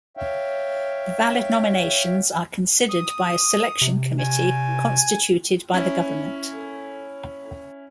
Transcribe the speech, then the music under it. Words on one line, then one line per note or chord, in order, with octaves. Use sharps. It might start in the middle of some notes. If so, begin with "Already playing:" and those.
The valid nominations are considered by a selection committee constituted by the Government.
C#5 E5 F5 G5
D#6
C3
G#5
C#4 E4